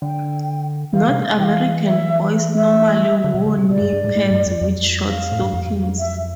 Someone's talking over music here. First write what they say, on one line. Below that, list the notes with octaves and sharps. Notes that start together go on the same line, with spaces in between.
North American boys normally wore knee pants with short stockings.
D3 G5
E3 F5
C3
E3 F5 G5
E5
E5
D3
B2
D3
C3
B2 D5
G2
G2
A2
A2
G2
F2
F2
F5
A2
G2
F2
E5